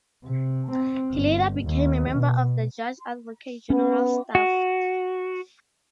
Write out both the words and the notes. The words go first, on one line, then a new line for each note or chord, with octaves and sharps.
He later became a member of the Judge Advocate General's staff.
C3
C4
G1
D#2
B2
B3 C#4
F#4